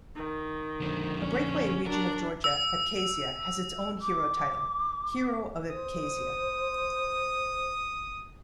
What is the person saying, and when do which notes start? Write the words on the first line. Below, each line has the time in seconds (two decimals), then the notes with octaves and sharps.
A breakaway region of Georgia, Abkhazia, has its own hero title, "Hero of Abkhazia".
0.16 D#3
0.80 F2 D3
1.22 C#4
1.86 F#3 D4 A#4
2.44 E6
4.02 D6
5.71 C5 D#6